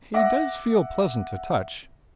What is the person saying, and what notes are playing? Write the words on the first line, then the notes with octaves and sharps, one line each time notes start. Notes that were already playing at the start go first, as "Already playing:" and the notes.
He does feel pleasant to touch.
E5 F#5 D6 A#6